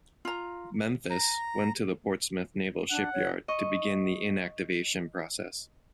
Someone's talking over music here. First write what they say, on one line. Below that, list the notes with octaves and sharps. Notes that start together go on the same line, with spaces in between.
"Memphis" went to the Portsmouth Naval Shipyard to begin the inactivation process.
F4 A#5
A#5
D4 F#5
C#5
D#5 C#6